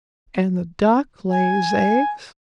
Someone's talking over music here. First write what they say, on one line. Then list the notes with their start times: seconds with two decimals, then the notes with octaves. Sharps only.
And the Duck lays eggs.
1.32 G#5